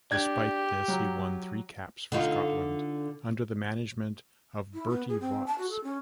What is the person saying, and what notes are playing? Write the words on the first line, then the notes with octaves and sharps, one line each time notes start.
Despite this, he won three caps for Scotland under the management of Berti Vogts.
D4 G4 G#6
F#3 A#5
D3 D#4 F4
E4
B3
G#4
C4
A5
F#4
A4
C#4